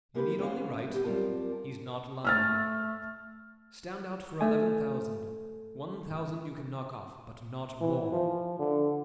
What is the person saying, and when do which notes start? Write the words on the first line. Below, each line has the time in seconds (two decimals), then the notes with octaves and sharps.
You need only write: 'He's not lying.' Stand out for eleven thousand; one thousand you can knock off, but not more.
0.14 G#3 A#3 E4 G4 A#4 B4
0.38 C#4 F#4 C5 F5
0.78 E5
0.90 B3 G4
1.04 F#2 G3 C4 F4 A#4 A5
2.25 A3 E6 F6 A6
4.41 A3 G#5
7.81 E3
8.12 F3
8.59 D3